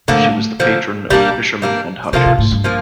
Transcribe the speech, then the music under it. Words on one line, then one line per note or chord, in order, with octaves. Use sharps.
She was the patron of fisherman and hunters.
A2 D3 F3 A#3
D3 F3 A#3
A#2 G3 A#3 D4
G3 A#3 D4
C3 F3 A#3 F4 A4
C3
A2
G2
F3 A#3 F4